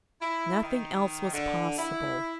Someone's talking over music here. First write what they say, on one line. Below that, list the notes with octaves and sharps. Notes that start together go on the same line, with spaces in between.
Nothing else was possible.
E4
D#3
D3
E4